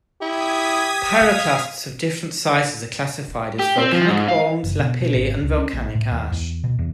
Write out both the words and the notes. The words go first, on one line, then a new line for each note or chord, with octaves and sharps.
Pyroclasts of different sizes are classified as volcanic bombs, lapilli, and volcanic ash.
E4 G4 D#6 G#6 B6
F5
G4
C4
F3
G#2
F5
F#1
B2
B2
G#1
C#2
C#4
A#1
A2
D#2
E2
B2
E2